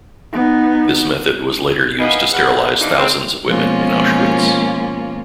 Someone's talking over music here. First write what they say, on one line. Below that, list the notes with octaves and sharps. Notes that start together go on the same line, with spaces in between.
This method was later used to sterilize thousands of women in Auschwitz.
B3 D#4
E3 A#3 B3 D#5
E2 F#5
D#2 E3 A#3 D4 D#4
G#3 C4
B2 F3 G#3 A#3 C#4 F4